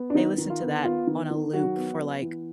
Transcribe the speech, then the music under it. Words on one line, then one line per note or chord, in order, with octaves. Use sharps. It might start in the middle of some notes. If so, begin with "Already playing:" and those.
listened to that on a loop for like
Already playing: B3
D4
D#3 D#4
D#3
F4
B3
B3 F4
D#3
D#3
F#3 F#4
B3
B3
E3